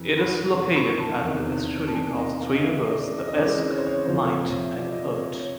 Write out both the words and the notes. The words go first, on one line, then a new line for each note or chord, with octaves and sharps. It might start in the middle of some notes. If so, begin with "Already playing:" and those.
It is located at the estuary of three rivers: the Esk, Mite and Irt.
Already playing: F2 C3 E3
B5
F2 C3 E3 C6
C#6
A5
E2 C3 D#3
A5
E2 C3 D#3 G#5
D#5
F5
D#5
C#3 E3 G#3 C4 E5
D#5
D5
D#5
D#5
C#3 E3 G#3 C4 D5
C#5
C5
C#5
F2 C3 F3 C5
C#5
F5
E5
F2 C3 F3 D5
D#5
D5
C#5
C#5